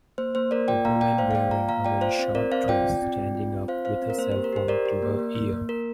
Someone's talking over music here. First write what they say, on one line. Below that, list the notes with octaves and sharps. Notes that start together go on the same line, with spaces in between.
A woman wearing a very short dress standing up with her cellphone to her ear.
A#3 C5
A#3 C5
A#3 A#4 D5
F4 D5 G5
A#3 F5 A#5
A#3 D5 G5
A#3 C5 F5
F5
A#3 D5 G5
F4 F5 A#5
A#3 F5 A#5
F4 D5 G5
F4 C5 F5
C4 C5
C4 A#4 D5
C4 C5 F5
F4 D5 G5
F4
C4
C4
F4
C4
F4 C5 F5
C4 C5 F5
C4
A#4
A#3 C5
G4 C5
A#4
G4 C5
G4 A#4 D5
G4
A#3
A#3
A#3
A#3
A#3 A#4